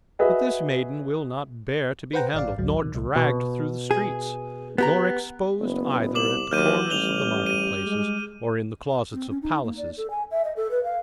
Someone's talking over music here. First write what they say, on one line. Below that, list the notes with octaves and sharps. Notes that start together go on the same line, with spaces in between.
But this maiden will not bear to be handled, nor dragged through the streets, nor exposed either at the corners of the market-places, or in the closets of palaces.
F#4 G#4 B4 D#5 E5
B4 C5 F#5 G5 A#5
A1 D5 F5
A1 D2 F#3
D#3
C2
B2
G#4
B3 G4 A#5
F#1 B3
C2 D6 E7 F#7
D#2 F#3 F6 G6 D#7
A1 G3 F7 G7
D#7
G#3
C4
C#4
D#4
A#3
D5
A4
G#5
E5
D#5
A4
B4
F5